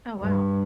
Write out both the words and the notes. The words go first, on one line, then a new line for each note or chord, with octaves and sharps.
Oh, wow.
G2